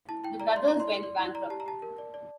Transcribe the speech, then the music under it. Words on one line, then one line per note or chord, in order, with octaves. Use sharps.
The brothers went bankrupt.
E4 A5
E4 G5
D5 A#5
D5 C6
E4 A#5
C6
D5
D5
E4
D5 A#5
G4 A5
A#5
G4 A5
A#4
D5
D5